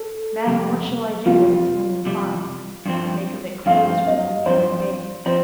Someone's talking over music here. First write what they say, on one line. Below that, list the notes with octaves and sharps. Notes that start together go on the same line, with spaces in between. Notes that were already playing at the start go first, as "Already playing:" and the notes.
'Madame, what shall I do with this linen fine?'--'Make of it clothes for thy new-born babe.'
Already playing: A4
F2 C3 G3
F2 C3 G3 F4
F2 C3 G3
G2 F3 C4
G2 F3 C4 F5
D#5
G2 F3 C4 C5
F3 C4 C5